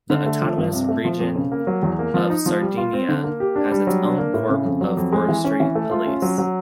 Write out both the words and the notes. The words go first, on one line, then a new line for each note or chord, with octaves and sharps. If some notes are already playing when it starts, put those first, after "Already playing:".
The Autonomous Region of Sardinia has its own corp of forestry police.
D3
A3
F3
G2
C3
A3
F3
F2
C#3
A#3
F#3
E2
A#3
F3
D#4
F3
G3
F4
C4
D3
A#3
G4
D4
G3
F#3
D4
A#3
A2
C#3
F2
F#3
F2
G#3
E3
C#4
E3
A3
F4
C#4
F#3
F#3